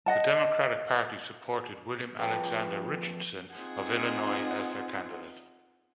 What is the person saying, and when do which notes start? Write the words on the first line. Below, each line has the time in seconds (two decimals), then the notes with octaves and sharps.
The Democratic Party supported William Alexander Richardson of Illinois as their candidate.
0.06 D#5 F#5 A5
2.19 F2 F3 G#4 B4 G5 A5
3.55 C4 D#4 F4 G#4 F#5